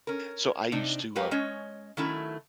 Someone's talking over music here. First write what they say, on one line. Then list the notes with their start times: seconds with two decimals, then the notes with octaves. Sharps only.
So I used to, um
0.07 C#4 A#4
0.72 C3 D4 D#4
1.15 F#3 G#3 G4 A#4 B4 F5
1.31 G#3 C#4 C#5 D#5
1.97 D#3 F#3 A3 C#4 E4